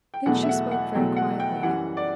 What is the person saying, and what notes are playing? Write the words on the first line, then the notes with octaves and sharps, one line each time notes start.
Then she spoke very quietly.
G5
E2 B2 F#3 A3 F#5
E5
F#5
F#5
E2 B2 F#3 A3 G5
F#5
G5
F#2 E3 G3 F#5
D5